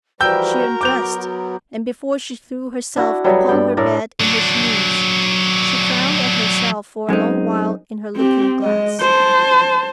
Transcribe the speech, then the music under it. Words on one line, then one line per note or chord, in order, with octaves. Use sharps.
She undressed, and before she threw herself upon her bed in her chemise, she frowned at herself for a long while in her looking-glass.
E3 F3 G3 F#4 A#4 G5 E6 G6
F#3 B3 D6 G6 F7
D4 E4 F#4
F#3 G3 A3 B3
G2 D5 G5
A2 A3 A#4 D5
F#3 D4
F#2 G#3 C4 D#4
C4 G4
G#3 D#5
C5 A5